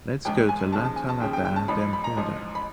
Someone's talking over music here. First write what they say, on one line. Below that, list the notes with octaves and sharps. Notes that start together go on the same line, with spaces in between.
Let’s go to La Tallada d'Empordà.
G#1 G#2 F3 G5
G#5
D#2 C#3 F3 A5
A5
G#5
A5
D#2 C#3 F3 G5
G5
G5
A5
A1 G#2 F3 B5
B5
B5
A#5
A1 G#2 F3
B5